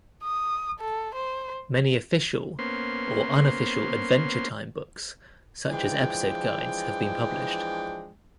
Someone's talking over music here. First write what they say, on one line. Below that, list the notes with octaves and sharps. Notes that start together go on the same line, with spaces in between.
Many official or unofficial "Adventure Time" books such as episode guides have been published.
D#6
A4
C5
A#3 B3 C#4 C5 C6
E3 F3 G#3 D4 G5